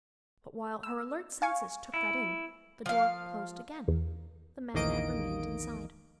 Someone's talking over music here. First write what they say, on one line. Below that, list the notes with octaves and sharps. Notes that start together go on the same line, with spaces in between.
But while her alert senses took that in, the door closed again--the man had remained inside.
E6
F5 G#5 C#6
E4
F3 F5
E2
A#1 E2 D#3 A#3 D#5 D7